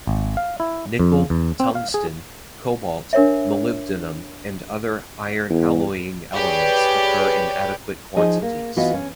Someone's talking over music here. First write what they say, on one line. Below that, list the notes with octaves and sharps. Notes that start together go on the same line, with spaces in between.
Nickel, tungsten, cobalt, molybdenum and other iron alloying elements occur in adequate quantities.
G#1
F5
E4
F2
E2
C4
F5
G#4
D4 A#4 C#5 E5
E2
G4 G#4 B4 C#5 D5
F3 D#4 G#4 D#5
A#3
E3 B3 F4 F#4 D#5
C#4